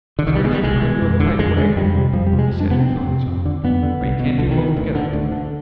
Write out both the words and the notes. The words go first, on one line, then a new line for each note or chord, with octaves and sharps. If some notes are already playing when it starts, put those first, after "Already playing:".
'Sorry to deprive you of a pipe, Wegg,' he said, filling his own, 'but you can't do both together.
D3
C2 D#3
G3
B2 G#3
G3
C2 G#3
B2
F2
D3
F2 G#3
D3 G#3
F2 G3
C3
F2 F3
G3
C3
G#3
F2
D4
C3 B3
C4
F2
C3
F2
D3
F2 B3
D3
C2
B2
C2 D3
D#3
B2
D#3
D2
D3
D2
D3